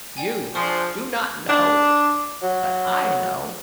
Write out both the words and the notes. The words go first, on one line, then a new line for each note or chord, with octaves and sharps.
You do not know; but I know.
D5 G5 G#5
F3 D4 G#4 C5 C#6 D#6 F6
D4
F#3